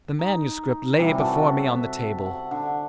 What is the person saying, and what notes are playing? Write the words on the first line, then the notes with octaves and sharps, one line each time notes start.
The manuscript lay before me on the table.
D#4
C3 E3 G3
F#4 A4
E5
F#5
D3